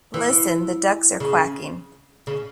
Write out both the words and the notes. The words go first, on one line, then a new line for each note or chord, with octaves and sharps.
Listen! The ducks are quacking!
E3
C#3
C#3